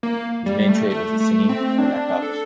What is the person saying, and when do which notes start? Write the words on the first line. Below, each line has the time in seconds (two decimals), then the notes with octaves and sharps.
His main trait was his singing or lack of it.
0.03 A#3
0.46 G3
0.69 A3
0.90 A3
1.20 A3
1.49 C4
1.78 D4
2.22 A4